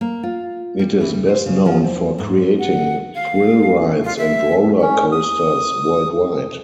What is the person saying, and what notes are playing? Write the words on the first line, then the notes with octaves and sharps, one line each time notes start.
It is best known for creating thrill rides and roller coasters worldwide.
A#3
F4
G3
E3
G3
C5
C#3
F3
C4
G#2
F#5
F5
F4
E5
C#4
D#6